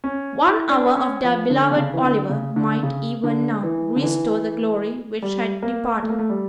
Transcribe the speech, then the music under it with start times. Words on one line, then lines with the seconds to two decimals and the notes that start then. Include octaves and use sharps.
One hour of their beloved Oliver might even now restore the glory which had departed.
0.04 C#4
0.44 E4
0.70 D4
0.97 C#4
1.24 F3
1.50 D3
1.71 D3
1.76 C#3
1.94 E3
2.03 D3
2.29 C#3
2.56 D3
2.83 C#3
3.24 D3
3.63 E3
3.96 D3
4.03 E3
5.22 G3
5.62 A#3
6.02 A3
6.10 A#3
6.19 A3
6.30 G3